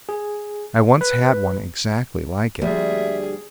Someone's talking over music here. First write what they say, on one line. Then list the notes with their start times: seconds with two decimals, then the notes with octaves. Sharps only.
"I once had one exactly like it."
0.09 G#4
1.01 B4
2.62 D2 F3 G3 A#3 G#4 E5